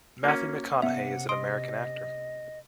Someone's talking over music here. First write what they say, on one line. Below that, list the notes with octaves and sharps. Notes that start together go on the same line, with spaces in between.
Matthew McConaughey is an American actor.
A#3 C#4 F#4
C3 B3 E5 F#5
D#5 C6 D#6 D7